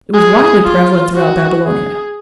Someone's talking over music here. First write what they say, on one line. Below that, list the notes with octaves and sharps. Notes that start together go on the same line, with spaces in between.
It was widely prevalent throughout Babylonia.
G#4
F4
F#4
G#4